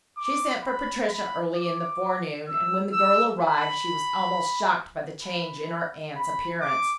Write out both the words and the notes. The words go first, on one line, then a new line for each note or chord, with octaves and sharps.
She sent for Patricia early in the forenoon, and when the girl arrived she was almost shocked by the change in her aunt's appearance.
D6
B5
B5
D6
E6
E6
B5
B5
B5
D6